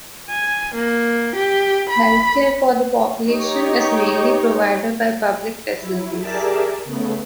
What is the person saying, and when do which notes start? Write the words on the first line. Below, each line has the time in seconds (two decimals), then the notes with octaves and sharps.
Health care for the population is mainly provided by public facilities.
0.30 G#5
0.75 A#3
1.35 G4
1.90 B5
3.27 D#4 G4 C#5
5.76 F#3 E4
6.19 G4 G#4 A#4 D5 E5 A5
6.84 C#3 A3 B3